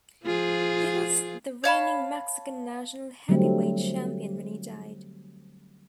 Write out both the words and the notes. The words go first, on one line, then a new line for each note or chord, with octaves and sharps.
He was the reigning Mexican National Heavyweight Champion when he died.
F3 F4 G#4
C#5 F5 A5 B5
D3 F#3 G3 A3 C4